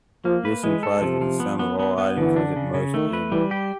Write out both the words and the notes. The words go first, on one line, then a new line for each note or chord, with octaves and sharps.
This implies that the sum of all items is at most "m".
F3 A#3
B4
E3 G#3
A4
C3 F3
F3
B3
B3
B3
B3
D3 E3
D4
C#3
C#3
D#3 A3
B4
E3 G3
G4